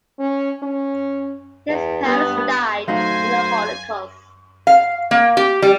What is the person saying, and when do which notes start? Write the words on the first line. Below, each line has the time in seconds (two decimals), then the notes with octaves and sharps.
His parents died in the Holocaust.
0.19 C#4
0.63 C#4
1.69 E2
2.05 G2 B3
2.88 F#3 A3 D#4 C5 F5 G#5 A#6
4.67 F5
5.11 A#3
5.37 G4
5.62 G3